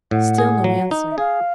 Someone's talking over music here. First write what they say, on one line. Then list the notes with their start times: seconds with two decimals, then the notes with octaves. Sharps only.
Still no answer.
0.11 A2 F#5
0.38 G#4
0.64 F#3
0.91 D#4
1.11 E5
1.18 G#4 F5